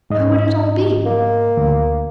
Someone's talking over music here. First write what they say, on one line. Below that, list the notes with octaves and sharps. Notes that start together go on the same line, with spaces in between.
How would it all be?
G#2 D#5
A#3
D2